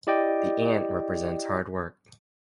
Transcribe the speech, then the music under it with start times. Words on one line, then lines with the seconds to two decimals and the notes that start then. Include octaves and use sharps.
The ant represents hard work.
0.07 E4 G4 D5 D#5 G5